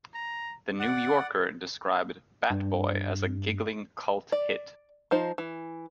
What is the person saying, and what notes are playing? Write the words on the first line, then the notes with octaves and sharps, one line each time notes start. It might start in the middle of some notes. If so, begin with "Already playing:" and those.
"The New Yorker" described "Bat Boy" as a "giggling cult hit".
A#5
D5 F#5
G2
D5
F3 D#4 C5
E3